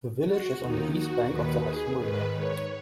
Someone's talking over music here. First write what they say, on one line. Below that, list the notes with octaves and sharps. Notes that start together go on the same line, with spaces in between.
The village is on the east bank of the Hudson River.
F#4
D#2 D#3 D#4
F#4
D#2 D#3 B4
G#4
G#2 D#3 B4
C#5